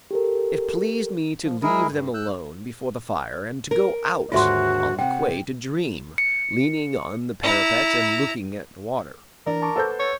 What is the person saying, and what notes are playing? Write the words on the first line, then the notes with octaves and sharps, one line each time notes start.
It pleased me to leave them alone before the fire and to go out on the quay to dream, leaning on the parapet and looking at the water.
G4 A4 A#4
F3
G#3 E4 G#4 A#4
G2
E6 F#6 G6
A#4
D#2 G#2 D3 F4 F#4 E5 C6
C3 F#5 G5
C#7
E4 A#5
E3 D4 A#4 D5
A5 C#6 D6
A4 B4 C5 F#5 G6
C#5 C#6